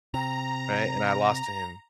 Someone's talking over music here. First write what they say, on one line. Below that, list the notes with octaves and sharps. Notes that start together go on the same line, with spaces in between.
Right? And I lost to him.
C3 A#5